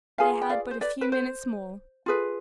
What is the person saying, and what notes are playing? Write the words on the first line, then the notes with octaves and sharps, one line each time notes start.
They had but a few minutes more.
F4 G#4 B4 F5 G#5
G5
D5 F5
C5
B4 D5
B4
C5
F4 G#4 B4